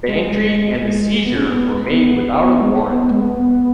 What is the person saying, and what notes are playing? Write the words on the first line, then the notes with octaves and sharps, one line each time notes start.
The entry and the seizure were made without a warrant.
G#3
B3
C#4
B3
B3
G#3
B3
B3
G#3
B3